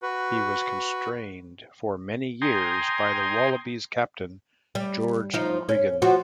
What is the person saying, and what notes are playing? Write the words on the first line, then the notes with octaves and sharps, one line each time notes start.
He was constrained for many years, by the Wallabies captain, George Gregan.
F#4 B4
G5 G#5 A#5 C6 D#6
G3
F3 D#4
C#4
F3 F#4